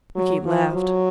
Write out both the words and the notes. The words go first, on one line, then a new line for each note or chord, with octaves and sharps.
Rickie laughed.
F#3
F3
F#3